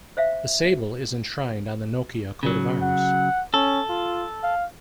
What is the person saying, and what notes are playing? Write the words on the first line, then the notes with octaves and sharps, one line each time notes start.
The sable is enshrined on the Nokia coat of arms.
C5 E5 F5
C#3 F#3
F#5
C#4 A4
F4
F5